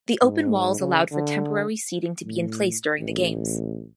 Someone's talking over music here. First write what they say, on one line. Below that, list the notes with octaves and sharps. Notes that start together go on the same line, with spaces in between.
The open walls allowed for temporary seating to be in place during the games.
G#2
C#3
D3
A2
A1